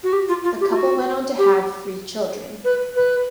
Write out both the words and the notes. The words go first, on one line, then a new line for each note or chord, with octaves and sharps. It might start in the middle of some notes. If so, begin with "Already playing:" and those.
The couple went on to have three children.
F#4
G4
F4
F4
G4
F4
F#4
G4
B4
B4